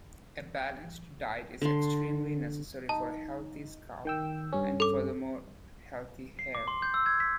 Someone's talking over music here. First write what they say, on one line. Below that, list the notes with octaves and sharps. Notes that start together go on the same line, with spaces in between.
A balanced diet is extremely necessary for a healthy scalp and furthermore healthy hair.
D3 C6
D#4 A5
D#3 G5 E6
G2 C#4
A4 D6
C7
D6
C6
G6
E6
G#6
B6